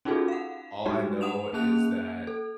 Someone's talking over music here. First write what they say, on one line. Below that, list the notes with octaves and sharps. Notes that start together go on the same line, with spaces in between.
all I know is that
C#4 D#4 F4 F#4 G#4 A4
F5 F#5
G3 G#3 D4 D#4 F#4 G4
F#5 D#6 E7 F7
A#3 C#4 G#4 A5 F#6 F7
A4